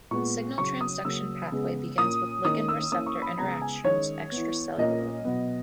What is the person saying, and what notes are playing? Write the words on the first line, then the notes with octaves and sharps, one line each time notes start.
The signal transduction pathway begins with ligand-receptor interactions extracellularly.
A#2 G#3 B3 C#6
C#3 F#3 C#4 C#6
D#6
C#3 F#3 A#3 C#4 E6
C#3 G#3 B3
A#2 A#3 C#4 D#6
D#3 A#3 C#4 D#6
E6
E3 A#3 C#4 D#6
C#6
B5
C#3 G#3 B3 A#5
G#5
D#3 G#3 C#4 C#5
E3 B3
A#2 A#3 C#4 D#5
B2 F#3 B3